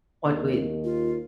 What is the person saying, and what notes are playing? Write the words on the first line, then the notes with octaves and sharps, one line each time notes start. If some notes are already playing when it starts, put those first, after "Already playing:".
What do we
D#2
F4